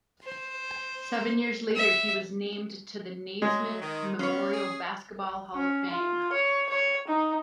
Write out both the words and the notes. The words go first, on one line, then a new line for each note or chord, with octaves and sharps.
Seven years later he was named to the Naismith Memorial Basketball Hall of Fame.
C5
E5
F#3 G#3
D#3
B3 C#4 C#5 F5
G#4
C#4
F4
C#5
C#5
D#4